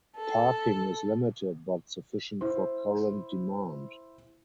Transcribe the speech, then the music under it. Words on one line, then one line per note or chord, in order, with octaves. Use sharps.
Parking is limited but sufficient for current demand.
A4
E4 C5